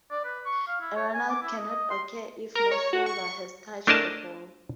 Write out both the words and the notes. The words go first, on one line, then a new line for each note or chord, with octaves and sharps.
A run out cannot occur if no fielder has touched the ball.
D5
B4
C#6
F5
E4
C#5
G#5
D6
E4
D#5
D#5
C6
A#4
C#5
F#4
C#6
A3 D4 E4 A#4 D#5 A5